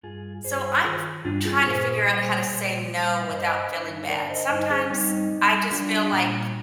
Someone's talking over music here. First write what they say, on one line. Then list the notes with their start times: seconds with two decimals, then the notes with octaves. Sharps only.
So, I'm f trying to figure out how to say no, without feeling bad. Sometimes I just feel like
0.03 G2 F4 G#4
0.44 G2 G#4 C5
0.85 D#3 F4 G#4
1.25 G2 D4 F4
1.45 F4 G#4
1.65 A#2 G#4 C5
2.06 G3
2.47 A#2
2.87 G3
3.22 F5
3.28 G2 C5 D#5
3.69 D3
4.09 D3 A#4 D5
4.29 C5 D#5
4.49 G2 C5 D#5
4.70 G#4 C5
4.90 G3 C4 D#4
5.31 G3
5.71 G3 D4 F4
6.12 A#2